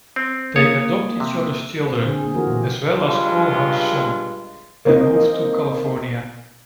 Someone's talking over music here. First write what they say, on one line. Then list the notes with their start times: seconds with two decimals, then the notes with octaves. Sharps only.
They adopt each other's children, as well as Coalhouse's son, and move to California.
0.16 C4
0.56 A#3 C#5 D#6
1.20 C3
1.86 C4 C5
2.05 D3 G#4 C5
2.21 A#3 G#4
2.34 E3 F3 A3 F4 F#4 A#4
2.47 A#2 G4
2.95 G2 G#3 F4
4.85 A#3 C4 D#4